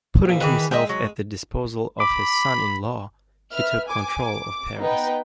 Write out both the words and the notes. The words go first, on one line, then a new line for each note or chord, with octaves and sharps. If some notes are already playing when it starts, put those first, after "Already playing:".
Putting himself at the disposal of his son-in-law, he took control of Paris.
A#1 A#2
D#3 E3 G#4 B4
G#3 D#5 E5 G5
F#3
B5 D6
B4 E5 F6
G#5 D6
D6
B3 D#4 B4 G5